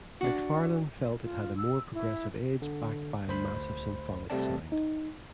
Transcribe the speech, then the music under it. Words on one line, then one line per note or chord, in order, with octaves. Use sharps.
McFarlane felt it had a "more progressive edge backed by a massive symphonic sound".
D4 F#4
F4
E6
E4
D3
D2 C5 B5
C3 G3 A3 C4 D5 A5
D#4